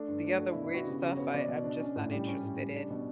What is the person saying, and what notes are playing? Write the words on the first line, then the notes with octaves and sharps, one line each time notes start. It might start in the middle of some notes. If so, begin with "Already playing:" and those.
The other weird stuff I I'm just not interested in.
Already playing: A3 D4
G2
A3
D4 F#4
E4
B2
E4
B3 F#4
C#3 G4
C#3 F#4
B3 C#5
B2 D5
B2
D4
C#4
A2
G3
C#4
A2
G3
D4
B2